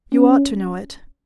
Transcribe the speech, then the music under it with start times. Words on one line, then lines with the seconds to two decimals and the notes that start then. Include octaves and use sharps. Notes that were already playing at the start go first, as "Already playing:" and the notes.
You ought to know it.
0.13 C#4